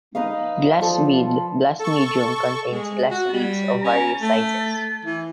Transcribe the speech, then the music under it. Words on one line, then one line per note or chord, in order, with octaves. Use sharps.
Glass bead blast medium contains glass beads of various sizes.
D#4 B4 D#5 F5
F3 A4 D5
A4 C#6
G#3
F#4
G3
C#4
A3
E3